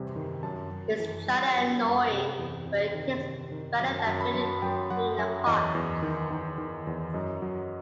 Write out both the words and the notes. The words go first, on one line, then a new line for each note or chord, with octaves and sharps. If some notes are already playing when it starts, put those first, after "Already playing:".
It's jolly annoying, but it is better than being the Queen of Hearts.
Already playing: E2 C3 G3
D#3
F#2 A5
F#2
E3
G3
F#2
G3
C3 G5
E2
C3
D#3
C3
D#3
F#2
A5
F#2
B5
F#3
A5
F#2 G5
F#3 F#5
F#2 E5
E2 D#5
E2
D#3
D#3
D#3
E2
F#2 D#5
F#3